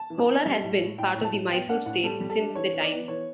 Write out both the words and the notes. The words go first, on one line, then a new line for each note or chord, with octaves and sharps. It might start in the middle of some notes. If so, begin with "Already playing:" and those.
Kolar has been part of the Mysore State since that time.
Already playing: A5
E3
B3
G3
A2
A2
A2 G5
A2
A5
A2
B3 G5
D4 F#5
A2 F#5
G3 A4
G3
A4
D4
E3 C#5
E3
D5
B3
E3 C#5